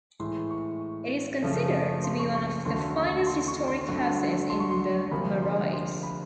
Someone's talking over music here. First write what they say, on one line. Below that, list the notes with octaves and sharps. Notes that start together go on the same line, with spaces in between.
It is considered to be one of the finest historic houses in the Marais.
A2 E3 G#3 C6
C#6
F#2 C#3 F3 A3
C6
C#6
C#6
D#2 D3 F#3 A3 C6
C#6
C6
C#6
C6
G2 D3 F#3 A3
C6
C#6
C6
D2 C3 F3 A#3 B5
C6
C6
B5